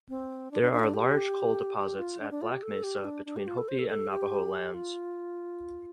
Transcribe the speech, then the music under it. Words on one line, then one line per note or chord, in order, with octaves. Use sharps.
There are large coal deposits at Black Mesa between Hopi and Navajo lands.
C4
D4
D4
D4
F4
D4
G4
G4
F4
D4
D4
F4
G4
A4
G4
D4
D4
G4
F4
A4
C5
A4
A4
G4
F4